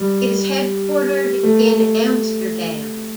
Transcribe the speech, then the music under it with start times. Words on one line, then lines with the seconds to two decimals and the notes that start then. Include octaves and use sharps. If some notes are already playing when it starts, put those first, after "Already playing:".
It is headquartered in Amsterdam.
Already playing: G3
1.43 A3